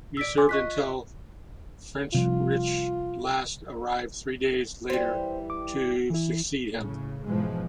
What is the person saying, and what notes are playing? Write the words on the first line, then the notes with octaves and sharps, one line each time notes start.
He served until Friedrich Last arrived three days later to succeed him.
A#2 D5 E6 B6 D7
C#4 G#5 C6 D6
F4 D#5 C#6 F#6 B6
C3 F3 G3 F4
E3 G3 C5
D6
E3 E4
A2 C#3
G#2 B2 E3 F3 G#3